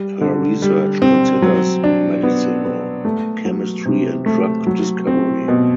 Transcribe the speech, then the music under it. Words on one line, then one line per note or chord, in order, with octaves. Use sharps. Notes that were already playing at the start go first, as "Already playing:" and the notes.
Her research considers medicinal chemistry and drug discovery.
Already playing: G3
D3
G3
C4
F#3
D4
B3
B3
A3
F#3
C3
A3
F#3
C4
B2